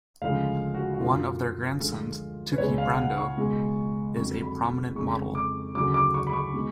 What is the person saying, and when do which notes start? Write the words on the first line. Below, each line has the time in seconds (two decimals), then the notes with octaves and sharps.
One of their grandsons, Tuki Brando, is a prominent model.
0.22 D2 C#3 F3 G#3 F5
0.74 F#4
0.94 F#4
1.00 F#2 D3 F#3 F4
1.79 D2 D3 F3 G#3
2.52 B4
2.58 C#2 B2 G#3 C#5
2.78 F5
2.98 F#5
3.18 C#6
3.37 C#2 B2 G#3
4.16 F2 D3 F#3 C#6
4.42 B5
4.95 F2 C#3 G#3 C#6
5.35 D6
5.75 D2 C#3 F#3 D6
5.94 D6
6.14 C#6
6.27 B5
6.33 C#6
6.53 B2 G#3